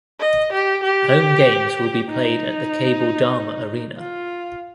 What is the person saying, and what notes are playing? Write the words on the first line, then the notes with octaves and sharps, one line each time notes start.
Home games will be played at the Cable Dahmer Arena.
D#5
G4
G4
D#4
F4